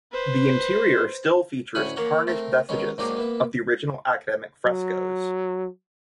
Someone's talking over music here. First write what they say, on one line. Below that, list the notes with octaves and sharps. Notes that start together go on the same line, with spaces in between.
The interior still features tarnished vestiges of the original academic frescoes.
B4 C5
D2 A2 C#4 F#5 G#5 B5
A#3 A#4 C#5 F#5
A3 C4 A#4
D#3 F#3 G#3 B3 C#4
G#2 F#3 A#3 D4 D#4 G4
A#3 B3 E5
F#3